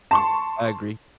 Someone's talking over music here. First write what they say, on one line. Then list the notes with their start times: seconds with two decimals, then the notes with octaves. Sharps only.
I agree.
0.11 A5 C6 C#6